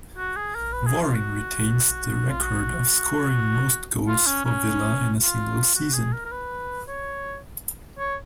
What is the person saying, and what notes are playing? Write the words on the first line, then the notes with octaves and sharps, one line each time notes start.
Waring retains the record of scoring most goals for Villa in a single season.
F#4
G#4
A#4
B4
G#4
F4
F#4
F4
F#4
F4
C#4
C#4
F4
F#4
G#4
A#4
A#4
B4
C#5
C#5